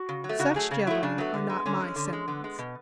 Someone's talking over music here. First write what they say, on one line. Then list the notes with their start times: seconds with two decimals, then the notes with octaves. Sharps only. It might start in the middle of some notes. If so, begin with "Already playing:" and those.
Such, gentlemen, are not my sentiments.
Already playing: F#4
0.09 C#3
0.24 F#3
0.29 A3
0.39 C#3 F#4
0.55 F#3 A3 G#4
0.71 C#3 G#4
0.87 F#3 A3 E4
1.03 C#3 D4
1.18 F#3 A3 B3
1.34 D3
1.49 G#3
1.66 D3 C#4
1.80 G#3
1.96 D3
2.13 G#3
2.28 D3 B3
2.44 G#3
2.59 B2